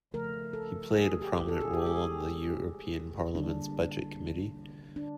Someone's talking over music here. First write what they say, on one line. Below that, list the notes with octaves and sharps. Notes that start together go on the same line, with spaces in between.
He played a prominent role on the European Parliament's budget committee.
C#3 F3 A3 A#4
A4
G#4
G4
A4
G#4
G4
G#4
D3 G3 A#3 D4
D4